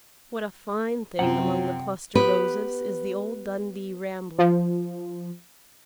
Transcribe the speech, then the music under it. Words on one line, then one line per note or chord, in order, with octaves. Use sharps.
What a fine thing, among the cluster Roses, is the old Dundee Rambler!
F#2 C3 F3 C4 F#5 G5
B3 G4 B4
F3